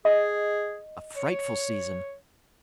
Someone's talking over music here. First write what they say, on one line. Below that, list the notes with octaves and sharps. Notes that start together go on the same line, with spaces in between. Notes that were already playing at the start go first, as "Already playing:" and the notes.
A frightful season!
G#4 D#5
C#5